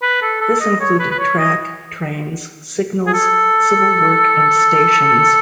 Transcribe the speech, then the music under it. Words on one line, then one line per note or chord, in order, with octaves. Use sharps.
This included track, trains, signals, civil work and stations.
B4
A4
A4
D#5
C#5
B4
B4
C#5
D#5
G#4
A4